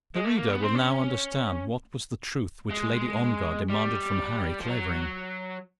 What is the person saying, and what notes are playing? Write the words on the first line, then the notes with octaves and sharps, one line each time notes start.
The reader will now understand what was the truth which Lady Ongar demanded from Harry Clavering.
G#3
A3
A#3
B3
C4
C#4
G#3
G3
F3
F#3